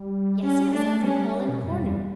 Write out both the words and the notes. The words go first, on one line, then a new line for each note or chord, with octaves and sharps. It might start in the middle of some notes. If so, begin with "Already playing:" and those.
"Yes, yes, every hole and corner."
Already playing: G3
G3 C#4
A3 D4
G3 C#4
G3
B2
F#2 G3
E2